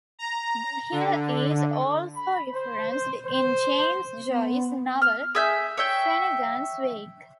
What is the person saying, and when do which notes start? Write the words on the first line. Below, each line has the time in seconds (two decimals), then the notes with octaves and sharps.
The hill is also referenced in James Joyce's novel "Finnegans Wake".
0.19 A#5
0.92 D3
2.14 B5
2.52 C5
2.90 C5
3.26 C5
4.30 B3
5.02 F6
5.35 G#4 E5 G6
5.77 C#5 E5 G5